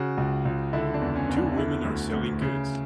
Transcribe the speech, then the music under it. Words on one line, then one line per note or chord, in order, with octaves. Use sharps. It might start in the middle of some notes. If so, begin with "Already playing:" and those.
Two women are selling goods.
Already playing: C#3 F#4
C#2
C#2
D3 E4
D4
E2
C#4
E2
D4
D3 E4
D2
D2
C#3